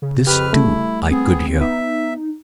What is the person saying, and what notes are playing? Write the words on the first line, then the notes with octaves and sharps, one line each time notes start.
This, too, I could hear.
C#3
F2 G4 B4 F6
G3 A3 E4
B3 C4 G#4
B3 D#4 E5